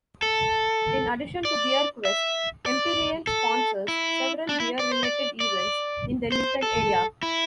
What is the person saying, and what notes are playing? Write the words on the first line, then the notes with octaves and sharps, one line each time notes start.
In addition to "BeerQuest", Empyrean sponsors several beer-related events in the Lincoln area.
A4
D5
E5
D5
A4
E4
D4
E4
D5
C5
D5
D5
C5
A4
E4